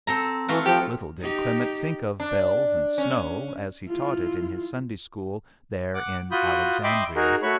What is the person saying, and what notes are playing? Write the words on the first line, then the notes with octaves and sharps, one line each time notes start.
Little did Clement think of bells and snow, as he taught it in his Sunday school there in Alexandria.
C4 A4 A#5
E3 A3 F4 F#4
F3 G4
D#4 G4
D4
C#4
E4 F4
F#5 D6
F4 F#4 B5 D#6 G6
D#5 E5 G5 B5 C6 D6
D#4 F#4 G#4 A#4
A3 F#4 C#5 B5 C#6